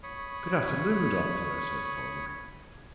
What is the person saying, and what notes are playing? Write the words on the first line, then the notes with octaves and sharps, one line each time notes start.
"Good afternoon, Doctor," I said formally.
C#5 B5 C#6 D#6